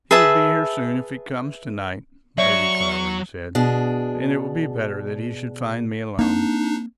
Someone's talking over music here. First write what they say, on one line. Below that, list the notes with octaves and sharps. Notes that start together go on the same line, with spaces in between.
"He will be here soon, if he comes to-night," Lady Clavering said, "and it will be better that he should find me alone."
G#4 B4 E5 A5
F#3 C#5 D5 E5 C#6
B2 D4 G#4
A#3 C4 D4 D#4